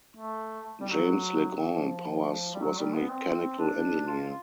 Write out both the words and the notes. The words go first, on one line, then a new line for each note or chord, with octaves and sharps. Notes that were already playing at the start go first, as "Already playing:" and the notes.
James Legrand Powers was a mechanical engineer.
A3
G3
F#3
F3
G3
F#3
G3
B3
C4
D4
F4